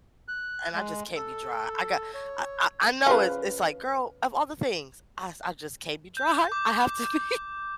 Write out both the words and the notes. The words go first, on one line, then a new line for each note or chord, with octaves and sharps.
and I just can't be dry. I got I I I know it's it's like, "Girl, of all the things." I s I just can't be dry. I have to be
F#6
G#3
A4
C#5
C#3 F3 B4 F5
G6
D6